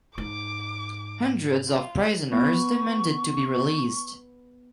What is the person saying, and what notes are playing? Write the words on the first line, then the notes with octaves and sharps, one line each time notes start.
Hundreds of prisoners demanded to be released.
G#2 D6
F4
B3 C#6